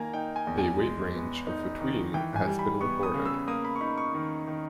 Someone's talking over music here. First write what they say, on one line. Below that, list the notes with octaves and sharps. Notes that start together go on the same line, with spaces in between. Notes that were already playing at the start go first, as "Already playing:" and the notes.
A weight range of between has been reported.
Already playing: D#3 A#3 G#5 A#5
D#4 G5
G#5
E2
G#5
G#3
B3
D#4
D#3
E3 G5
G#5
G3
B5
B3 C#6
D#6
C#3
E6
A#3 D#6
B5
C#6
D#4 B5
C#6
D#3
D#3